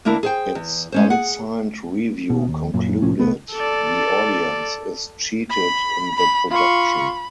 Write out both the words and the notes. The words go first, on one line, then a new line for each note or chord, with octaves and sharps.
Its unsigned review concluded: The audience is cheated in the production.
D2 A#3 D4 E4 A#4
G#4 C5 G5
E2
G#3 C#4 C5
G#4 F#5
B2
D#2
F#2 A#2
C2 A2 F3 C#4
C2 A2 A3 B3
A4 D5
B5
B5
F4 B5 C#6